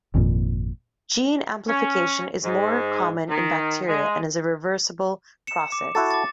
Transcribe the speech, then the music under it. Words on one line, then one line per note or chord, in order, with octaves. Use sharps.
Gene amplification is more common in bacteria and is a reversible process.
G#1 F2 A#2
C#4
G#2
D#3
G#3
C#7 E7
D6
E4 F#4 A4 A6
D6 A6